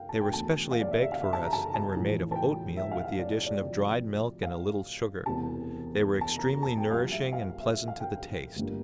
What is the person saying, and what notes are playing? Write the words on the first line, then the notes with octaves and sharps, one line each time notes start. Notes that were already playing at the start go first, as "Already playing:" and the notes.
They were specially baked for us, and were made of oatmeal with the addition of dried milk and a little sugar; they were extremely nourishing and pleasant to the taste.
Already playing: F5 G5
A5
G5
E1 D2 D3 A3 A5
F5
D5
E5
E5
F5
E5
A5
A#5
A5
A5
A#1 A2 E3
A5
G5
E5
F5
F5
D5
D5
D5
D2 C3 F3 C4
F5
E1 E2 C3 A5
A5
A#5
A#5
A5
G5
A#1 A#2 G3 F5
E5
F5
E5
E5
F5
G5
G5
G1 G2 D3 G3 A#3